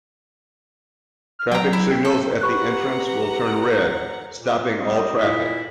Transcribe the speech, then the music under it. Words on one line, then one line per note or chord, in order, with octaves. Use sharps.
Traffic signals at that entrance will turn red, stopping all traffic.
F6
F#3 G5 A#5
E4
G5
A4
G4 B4 F#5 A#5 B5 C#6 F#6
A#2
G3 C4 D#5
A#2 E4